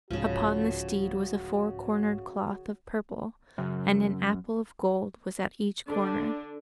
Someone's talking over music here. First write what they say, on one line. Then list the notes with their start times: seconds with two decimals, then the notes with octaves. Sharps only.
Upon the steed was a four-cornered cloth of purple, and an apple of gold was at each corner.
0.11 C2 G#2 C#3 F3 F#4
3.58 F#2 C#3
5.89 D3 D4